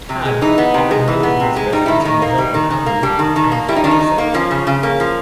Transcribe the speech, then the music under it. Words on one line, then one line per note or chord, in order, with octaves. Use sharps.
Tadg offered him his residence on the hill of Almu, and Fionn accepted.
C3
G#3
E3 D#4
B3
C3
G#3
E3
B3
C3
G#3
G3 D#4
D#3 E4
D#4
D#3
A#3
G3
D#3
D#3
A#3
G3 D4
D#3
D#3
A#3
G3 E4
D#4
D#3 D4
D#4
D#3
A#3
F3 C#4
C#3
C#3
A#3
F3